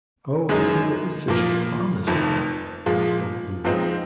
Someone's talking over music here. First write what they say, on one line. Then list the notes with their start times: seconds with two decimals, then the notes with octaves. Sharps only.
"Oh! but the gold fish promised me," spoke Lulu.
0.49 F#2 D#3 G#3 D#4
1.28 A#2 F3 A#3
2.07 F1 F2 D#3
2.86 A#2 F3 G#3
3.64 G#2 F3 G#3 C4 D#4